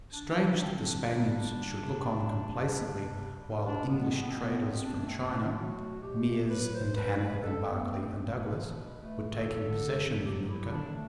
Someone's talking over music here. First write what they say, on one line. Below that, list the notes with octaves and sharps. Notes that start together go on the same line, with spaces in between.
Strange that the Spaniards should look on complaisantly while English traders from China--Meares and Hanna and Barkley and Douglas--were taking possession of Nootka.
D4
D3
D4
D3
C4
D3 D4
G3
D3
C3
G3
C3
C3
G3
G3
B2 D4
B3
B2
C4
B3
B2 C4
B3
B2 C4
D4
A3
C4
A3
D4
F#3 F#4
B2
G4
A3
F#3 B4
C5
B2
B4
B2
B4
B2 A4
B3
A3
C4
A3
B2 B4
B2
A3
D3 A4
D3
D3
F#3 G4
E4
D3
D4
A3